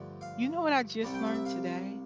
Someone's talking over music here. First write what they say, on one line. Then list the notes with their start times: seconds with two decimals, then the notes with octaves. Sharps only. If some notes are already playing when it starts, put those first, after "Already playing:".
you know what I just learned today?
Already playing: G2 D3 F3 A3
0.21 F5
1.03 C2 C3 G3 A5
1.14 G5
1.25 F5
1.34 E5
1.45 F5